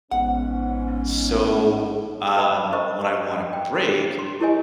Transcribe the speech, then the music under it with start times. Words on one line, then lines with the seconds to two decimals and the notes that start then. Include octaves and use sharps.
so, um, when I want a break,
0.11 A1 G#2 B3 C#4 F#5
2.37 B4 D#5 A5 B5 D6
2.72 A#4 C5 D#5 A5 C#6
3.53 G5
4.19 C6
4.40 E4 G4 A#4 C#5 D#5 G#5